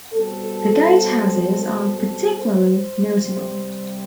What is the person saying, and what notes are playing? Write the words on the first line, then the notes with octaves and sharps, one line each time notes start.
The gatehouses are particularly notable.
B2 G3 C4 A4
A4
A4
C5
C5
C3 G3 C4